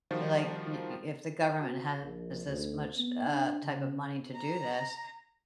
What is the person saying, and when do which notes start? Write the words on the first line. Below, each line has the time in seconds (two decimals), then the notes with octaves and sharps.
like y y if the government has this much, uh, type of money to do this,
0.11 D#3 F3 G3 F4 F#4 C5
1.60 F#4
2.01 A#1
2.45 D2
2.97 B3
3.26 D4
3.63 C#3
4.36 A#5